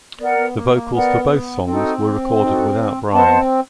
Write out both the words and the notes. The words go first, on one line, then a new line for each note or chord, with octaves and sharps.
The vocals for both songs were recorded without Brian.
B3 A#4 D5 F#5
B3
A#3
A#3
B3 A#4 D5 F#5
C4 D#4 F#4 A4
D#4 F#4 A4
B3 C5 D#5 F#5 A5
B3
C4